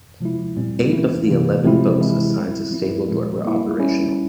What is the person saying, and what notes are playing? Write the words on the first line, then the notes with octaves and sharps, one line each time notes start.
Eight of the eleven boats assigned to Stable Door were operational.
C3 F3 G#3 E4
A#2 G3 C4
E3 A#3 C#4 E4
C3 E3 A#3
C3 F3 G#3 C4 E4
C3 E3 G#3 E4
G3 C4 E4
F3 C4 E4
A#2 F3 G#3
G3 A#3 E4
G3 C#4 E4